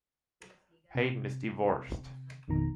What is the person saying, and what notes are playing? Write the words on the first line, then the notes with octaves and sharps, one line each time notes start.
Hayden is divorced.
C3
A1 F2 B2 D#3 A#5